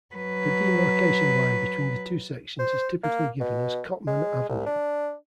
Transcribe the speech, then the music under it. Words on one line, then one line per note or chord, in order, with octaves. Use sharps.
The demarcation line between the two sections is typically given as Cottman Avenue.
F#3 B4
C5
A#3
B2
G#3
C2
D4